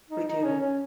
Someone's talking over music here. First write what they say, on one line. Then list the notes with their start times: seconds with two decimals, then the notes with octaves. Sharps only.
we do,
0.10 D#4
0.27 D#4
0.44 C#4
0.60 C#4